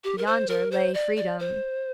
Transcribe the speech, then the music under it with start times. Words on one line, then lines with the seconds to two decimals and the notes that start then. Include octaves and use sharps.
Yonder lay freedom!
0.04 G4
0.18 A#4
0.26 C5
0.49 A#4
0.71 C5
0.94 D5
1.16 D5
1.39 C5